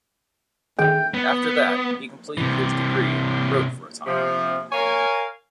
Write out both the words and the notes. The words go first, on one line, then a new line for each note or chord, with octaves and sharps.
After that he completed his degree, and wrote for a time.
D#3 G#4 G5
B3
C3 E3
C3 F3
A#4 C#5 F5 G#5